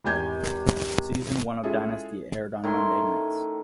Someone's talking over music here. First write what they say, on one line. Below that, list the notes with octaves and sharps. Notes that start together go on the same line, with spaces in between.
Season one of "Dynasty" aired on Monday nights.
G#1 E2 G4 G#5 G6 G#6
G#3 C#4 E4 F4 G#4 A4
A2 D#3 C#4 C6